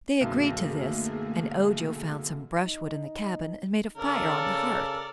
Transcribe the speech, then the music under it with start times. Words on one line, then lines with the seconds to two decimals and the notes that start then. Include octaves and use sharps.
They agreed to this and Ojo found some brushwood in the cabin and made a fire on the hearth.
0.21 B1 F#2 D3 A3 A#3 G#4
2.63 D#4
3.97 C#3 A4 A#4 D5